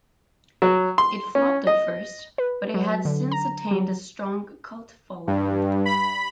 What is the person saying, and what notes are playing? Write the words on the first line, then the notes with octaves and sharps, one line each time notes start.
It flopped at first, but it has since attained a strong cult following.
F#3
C6
C#4
D#5
B4
F#3
D3
A#5
F#3
G2
B5